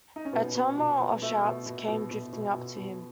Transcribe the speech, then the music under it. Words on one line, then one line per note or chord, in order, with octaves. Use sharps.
A tumult of shouts came drifting up to him.
D#4
C#4
B2 B3
B2
B2
B2
B2 A3
B2
B2
B2
B2
B2
B2
B2